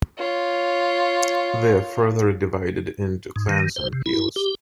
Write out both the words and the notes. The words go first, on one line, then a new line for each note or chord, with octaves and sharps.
They are further divided into clans or khels.
F4 C#5
G#2
D#3
C5
C3
E4
G4